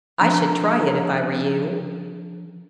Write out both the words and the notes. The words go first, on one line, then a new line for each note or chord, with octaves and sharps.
I should try it if I were you.
F3 D4 A#5